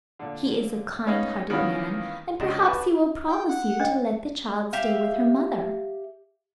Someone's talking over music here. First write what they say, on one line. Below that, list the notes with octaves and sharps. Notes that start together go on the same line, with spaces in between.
He is a kind-hearted man, and perhaps he will promise you to let the child stay with her mother.
A#2 D3
B3 C#4 D#4 F5
D#3 E3 A#3 B3 C#4 F4
C#2 D4 D#5
B4 A5
D5 G5
F#5
D4 C5 D#5
G4 E5 F5